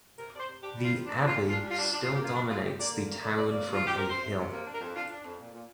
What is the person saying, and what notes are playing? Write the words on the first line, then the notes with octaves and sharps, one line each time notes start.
The abbey still dominates the town from a hill.
C3 A#4
C3 D5
C5
C3
D4 G4
G3
F4
C3
A#2 D4
A#2
F4
A#2
D4 F4
G3
F4
D4
F3 D4
D2 F4
G4
A#3 F4
F3 D4
F3 F4
D2 G4
A#3 D5
D3
A#3
D3 D5
D2 D5
A#3 D5
C3
F4
C3
G4
C3 A#4
C3 C5
C3
C3
A#3
D4
A#4
F2
D4 F4
D4
F2
A#2
A#2